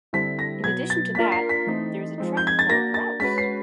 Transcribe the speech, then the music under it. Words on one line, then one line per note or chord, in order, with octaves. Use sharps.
In addition to that, there is a track called Raus!
D3 G3 C4 E4 A4 B6
A#6
B2 F#3 B3 G#6
A6
A#3 D4 F4 A#4 B6
C7
B6
E3 A3 C4 D#4
F3 G#3 C4 D#4
G6
G#6
A6
A#3 D4 F#4 A#4 A#6
A6
G#3 C#4 F#4 B4 B6
C7